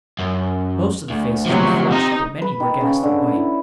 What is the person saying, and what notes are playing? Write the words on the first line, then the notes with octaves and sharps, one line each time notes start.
Most of the faces were flushed, but many were ghastly white.
F#2
D2
D2 C3 F3 F#3
C3 D#4
B4
D#3
C#3
D3
E4